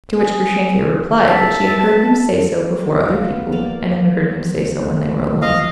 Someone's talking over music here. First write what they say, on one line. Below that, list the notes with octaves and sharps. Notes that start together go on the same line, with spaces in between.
To which Grushenka replied that she had heard him say so before other people, and had heard him say so when they were alone.
G#4
D#2 B2 E5 A5
F4 F#4
B3
A#3 D5 F5
F3 A3 D#5 F5